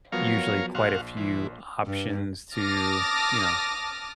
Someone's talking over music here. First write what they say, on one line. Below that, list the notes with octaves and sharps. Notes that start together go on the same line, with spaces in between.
usually quite a few options to, you know,
F3 F#3 B3 A#4 C#5 F5
A#1 F#4 F5 C6
E3
G2
A5 D6 D#6 F6 A6 A#6